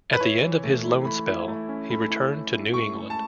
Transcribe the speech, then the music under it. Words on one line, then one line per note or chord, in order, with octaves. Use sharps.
At the end of his loan spell he returned to New England.
B4
E4 C#5
E3
A3
E4
A3 B5
E4
A3
C#4
A3 B5
E4
E4
E4
A3 C#6
A3
A5